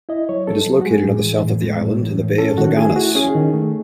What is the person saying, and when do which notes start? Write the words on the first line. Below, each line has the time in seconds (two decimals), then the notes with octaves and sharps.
It is located on the south of the island, in the Bay of Laganas.
0.09 E4 D#5
0.29 F#3 C#5
0.47 C4 A4
0.66 F#3
0.81 F#4
0.86 G#3 G#4
1.05 A2
1.24 E3
1.44 A2
1.62 G#3
1.81 A2
2.01 E3
2.20 A2
2.38 C#4 A4
2.58 D#3 F#4
2.77 A3 G#4
2.96 E4 F#4
3.15 C#4 G#4
3.35 D#3
3.54 A3